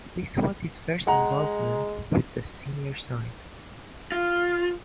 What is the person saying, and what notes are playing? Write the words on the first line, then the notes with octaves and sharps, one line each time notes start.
This was his first involvement with the senior side.
G#3 F#5 A#5
F4